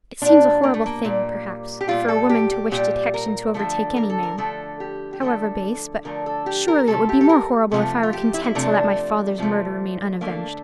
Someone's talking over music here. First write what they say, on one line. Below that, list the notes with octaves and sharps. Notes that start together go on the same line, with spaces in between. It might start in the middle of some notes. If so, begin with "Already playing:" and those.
It seems a horrible thing, perhaps, for a woman to wish detection to overtake any man, however base; but surely it would be more horrible if I were content to let my father's murder remain unavenged.
A#2 G3 D4
A#3
A3
A#3
A#2 G3
G4
A#2 G3 F4
A4
G4
G4
A#2 G3 G4
A#4
D3 F3 A3 A4
A#4
A4
A#4
D3 F3 A3 A4
G4
G4
D3 F3 A3 A4
D3 F3 A3 A#4
A4
G4
A#4
C3 F3 A3 A4
G4
A4
A#4
C3 F3 A3
F4
G4
E4
E4
C3 F3 A3 D4
C3 F3 A3
D3 A3 A#3